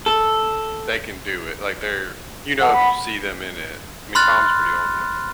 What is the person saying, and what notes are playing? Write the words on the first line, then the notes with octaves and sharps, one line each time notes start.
they can do it. Like they're, you know, if you see them in it. I mean, Tom's pretty old now,
A4
A4 F#5
B5
B5 C6 F6 F#6 A6